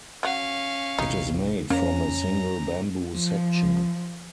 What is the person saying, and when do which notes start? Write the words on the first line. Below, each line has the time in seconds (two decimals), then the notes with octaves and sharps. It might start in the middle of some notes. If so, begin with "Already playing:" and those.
It is made from a single bamboo section.
0.23 F#3 C#4 F5 F#5
0.99 A#1 C3 E3 D#4
1.70 F2 A#3 C#4 A#5
3.10 F3